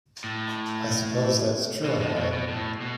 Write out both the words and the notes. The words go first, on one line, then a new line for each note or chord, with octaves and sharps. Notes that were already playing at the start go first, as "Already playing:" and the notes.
I suppose that's true in a way.
A2
B2
A2
B2
B2
A2
B2